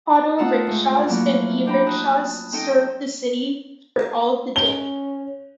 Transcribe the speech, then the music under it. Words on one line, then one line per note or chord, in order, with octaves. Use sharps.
Auto Rickshaws and E Rickshaws serve the city for all the day.
A3 F4 F#5 A5 D#6 E6
G#2 A3
F3 F#3 A3 A#3 E4
D4 C5 G5 A#5 B5
A5 D#6 F#6
C4 C#4 D#4 A4 D#5 G5
C#4 G7